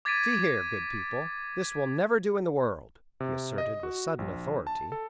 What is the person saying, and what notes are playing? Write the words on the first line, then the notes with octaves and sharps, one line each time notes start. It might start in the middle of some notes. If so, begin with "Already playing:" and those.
"See here, good people, this will never do in the world," he asserted with sudden authority.
D6 G#6 A6 B6 D7 D#7
C3
D#5
F#4
A#1
A5
A4